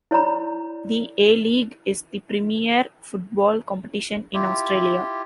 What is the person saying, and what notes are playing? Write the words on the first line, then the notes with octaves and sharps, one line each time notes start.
The A-League is the premier football competition in Australia.
E4 C#5 D5 A#5 B5
E4 F4 G4